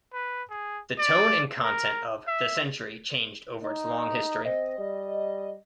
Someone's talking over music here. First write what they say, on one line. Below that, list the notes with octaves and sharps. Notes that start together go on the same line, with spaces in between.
The tone and content of "The Century" changed over its long history.
B4
G#4
D5
A#4
E5
D#4
C4 D#5
G3